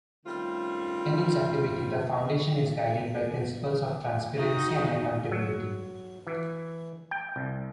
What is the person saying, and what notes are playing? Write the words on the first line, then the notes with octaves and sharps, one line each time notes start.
In its activity, the Foundation is guided by principles of transparency and accountability.
D#3 G3 A3 C4 C#4 F4
D#4 F#4
F#3
E3
G5
C2